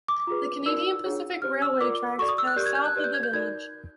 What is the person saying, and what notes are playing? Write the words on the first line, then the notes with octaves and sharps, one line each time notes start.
The Canadian Pacific Railway tracks pass south of the village.
D6
F4 G#4 B4
D#4 F#4 A#4 D5 E6
D4 F4 G#4 C#5
G4 C5 F6
E6
F4 A#4 D5 D6
F#4 A4 D5 C#6
D#6
E6
F#6
G4 A#4 D5 G6
G#6
G6
F#6
G4 B4 D5
G6
G#6
G6
D#4 F#4 A#4 D5 G#6